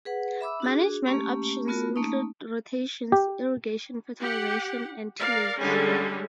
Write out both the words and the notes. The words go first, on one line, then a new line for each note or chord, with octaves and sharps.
Management options include rotations, irrigation, fertilization and tillage.
G#4 B4 F#5
E5 B5 D6 E6
D4 F#4 G#4
A3 A#3 C#4 G4
A3 B3 F4 F#4 A#4
A3 A#3 C#4 D#4
G4
G4 F#5
A#4 D5 F5
D3 G3 G#3 C#4